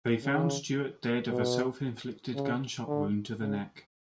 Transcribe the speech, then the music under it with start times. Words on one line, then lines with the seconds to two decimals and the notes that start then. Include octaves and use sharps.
They found Stewart dead of a self-inflicted gunshot wound to the neck.
0.24 C#3
1.30 B2
2.34 C#3
2.87 D3
3.40 C#3